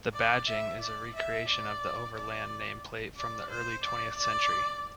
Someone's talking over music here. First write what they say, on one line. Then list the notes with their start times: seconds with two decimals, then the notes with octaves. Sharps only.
The badging is a recreation of the Overland nameplate from the early twentieth century.
0.13 D5
0.48 E5
0.81 D5
1.15 E5
1.48 D5
2.15 D5
3.17 D5
3.50 C5
3.83 D5
4.18 D5